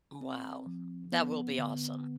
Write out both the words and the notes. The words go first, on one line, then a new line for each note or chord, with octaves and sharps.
Wow. That will be awesome.
C4
F3
B3
D3